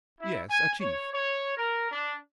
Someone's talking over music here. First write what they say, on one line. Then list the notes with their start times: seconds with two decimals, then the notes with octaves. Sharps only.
"Yes, a chief."
0.20 E4
0.49 G#5
0.81 C#5
1.13 C#5
1.57 A#4
1.92 D4